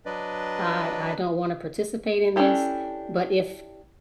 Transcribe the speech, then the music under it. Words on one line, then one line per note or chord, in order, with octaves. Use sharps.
"I I don't wanna participate in this," but if
F#3 D4 B4 D5 D#5
C#4 D4 E4 G4 A4